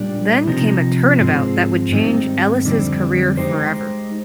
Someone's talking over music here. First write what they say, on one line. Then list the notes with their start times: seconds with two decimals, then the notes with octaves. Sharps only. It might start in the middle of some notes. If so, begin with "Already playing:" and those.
Then came a turnabout that would change Ellis's career forever.
Already playing: A#2 G3 D4 G4 D5
0.47 C3 F3 C4 D#4
1.19 G#2 F3 G#3 C4
1.91 G#2 D#3 G3 C4 D#4
2.65 F2 D3 G3 C4
3.37 G#3 D#4 G4 C5